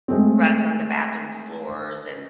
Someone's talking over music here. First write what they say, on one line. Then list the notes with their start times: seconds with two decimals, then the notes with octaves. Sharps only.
rugs on the bathroom floors and,
0.08 G#3 A3 C4